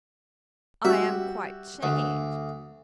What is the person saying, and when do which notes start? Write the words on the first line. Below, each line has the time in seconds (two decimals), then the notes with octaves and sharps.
I am quite changed.
0.85 G3 F#4 E5
1.83 D2